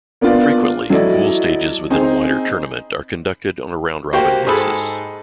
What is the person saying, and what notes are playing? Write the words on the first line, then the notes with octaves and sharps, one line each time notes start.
Frequently, pool stages within a wider tournament are conducted on a round-robin basis.
A#3 B3 D4 F4 D5
F#3 E4 A4 D5 D#5
C4 D#4 G#4
A#3 F#4 G4 C5 G5
G#2 G#4 A4 B5